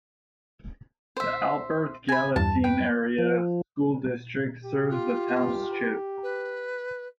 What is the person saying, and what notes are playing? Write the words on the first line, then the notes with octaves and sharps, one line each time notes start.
The Albert Gallatin Area School District serves the township.
C5 E5
G#5 B5
E2 G2 A5
B4 G5
F3
G4
F4
B4